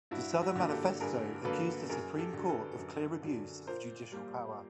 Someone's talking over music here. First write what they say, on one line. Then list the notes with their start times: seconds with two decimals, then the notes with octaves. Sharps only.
The Southern Manifesto accused the Supreme Court of clear abuse of judicial power.
0.11 G2 E4 F#4
0.41 E4 F#4
0.55 D3 F#3 A#3
0.70 G4 A4
1.00 G2 G#4 A#4
1.44 D3 F#3 A#3 A4 B4
1.89 F#2 G#4 A#4
2.19 G4 A4
2.33 D3 F#3
2.49 A4 B4
2.78 F#2
3.23 D3 F#3
3.67 A#2 A#4 C5
4.12 G3 A#3